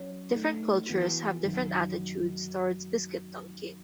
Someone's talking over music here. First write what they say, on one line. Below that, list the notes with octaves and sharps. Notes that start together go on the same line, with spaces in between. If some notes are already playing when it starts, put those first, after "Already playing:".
Different cultures have different attitudes toward biscuit dunking.
Already playing: F#3 C#4 F#4 C#5
A3 D#4 A4
E3 B3 F#4
F#2 D#3 F#3